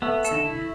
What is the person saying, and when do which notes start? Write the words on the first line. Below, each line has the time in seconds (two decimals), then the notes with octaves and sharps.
so yeah.
0.02 A3 B3
0.25 A4
0.45 E4